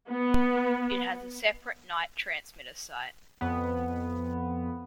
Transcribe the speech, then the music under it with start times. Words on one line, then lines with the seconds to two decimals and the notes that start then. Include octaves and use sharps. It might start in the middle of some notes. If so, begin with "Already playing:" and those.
It has a separate night transmitter site.
0.11 B3
3.41 F2 B3